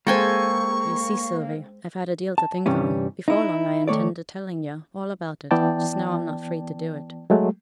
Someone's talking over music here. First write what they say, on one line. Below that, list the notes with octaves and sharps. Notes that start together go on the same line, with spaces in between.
'You see, Sylvie, I've had a deal to think on; before long I intend telling yo' all about it; just now I'm not free to do it.
G#3 A#3 A4 C5 G5 G#5 C#6
A5
G2 C3 E3 G3 C#4
D#4 E4
D#3 A3 C#5 D5
E3 B3 D5 G5 A5
F#3 G#3 A3